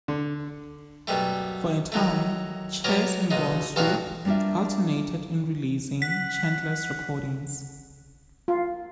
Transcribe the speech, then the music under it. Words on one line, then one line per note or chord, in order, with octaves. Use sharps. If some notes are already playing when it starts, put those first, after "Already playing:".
For a time, Chess and Brunswick alternated in releasing Chandler's recordings.
D3
F#2 B2 G3 A3
D#3 F#3 A3
F#3 B3 A#4 C#5 D5
C#2 B2 D#4
A1 G2 B2 E3 F#4 F5
G3 A#3 D4 F4 E5
F#5 B6
F4